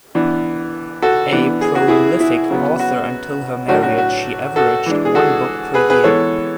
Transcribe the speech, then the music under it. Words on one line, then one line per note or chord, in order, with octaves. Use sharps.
A prolific author, until her marriage she averaged one book per year.
E3 B3 D4
F#4 A4
E3 B3 D4
G#4
F#4
E4 G#4
E4
C#3 F#3 B3
F#4
A2 F#3 A3 D4 F#4
F#4
F#4
F#4 A4
E3 G#3 D4
G#4
F#4 A4
G#4 B4
G#4 B4
E3 G#3 B3 A4 C#5